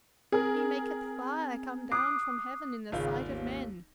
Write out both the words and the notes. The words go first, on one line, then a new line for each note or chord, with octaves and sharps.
He maketh fire come down from heaven in the sight of men!
C4 G#4 A#4
D6 D#6 F#6 C7
G#1 C#3 F4
D#2